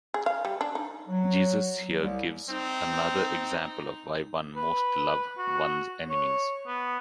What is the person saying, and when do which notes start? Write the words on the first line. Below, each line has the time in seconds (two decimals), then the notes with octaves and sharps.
Jesus here gives another example of why one most love one's enemies.
0.14 G#4
0.26 F5
0.45 G3
0.61 D4
0.75 D#4
1.08 F#3
1.97 C2
2.49 C4 D#4
4.56 B4
5.38 F#4
6.09 C#5
6.67 B3